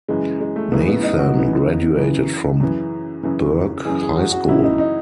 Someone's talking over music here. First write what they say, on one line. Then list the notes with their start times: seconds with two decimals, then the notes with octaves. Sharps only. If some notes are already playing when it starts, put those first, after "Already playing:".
Nathan graduated from Burch High School.
0.08 F#2 C#3 E3 G#3
0.41 G#3
0.56 A3
0.72 F#2 C#3 E3 B3
0.88 B3
1.03 D#4
1.19 F#4
1.34 F#2 C#3 E3
1.97 F#2 C#3 E3
2.60 F#2 C#3 E3
3.23 F#2 C#3 E3
3.85 F#2 C#3 E3 G#4
4.01 G#4
4.17 F#4
4.32 F#4
4.48 F#2 C#3 E3 E4
4.63 D#4
4.79 D#4